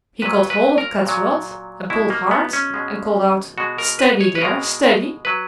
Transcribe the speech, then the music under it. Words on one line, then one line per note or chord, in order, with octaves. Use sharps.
He caught hold of Kat's rod and pulled hard and called out, "Steady there, steady!"
A#2 F#3 B4
B4
A#4
A#2 F#3
B2 G#3 E4
A#3
B3
C#4
B2 G#3
B2 G#3 F#4
A#4
B4
C#5
B4
B2 G#3 A#4
F#3 B4